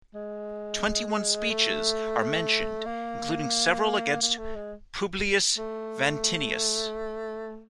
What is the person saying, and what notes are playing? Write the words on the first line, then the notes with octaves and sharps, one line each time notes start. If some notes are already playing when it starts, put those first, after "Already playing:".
Twenty-one speeches are mentioned, including several against Publius Vatinius.
G#3
A3
A#3
A#3
A3
G#3
A3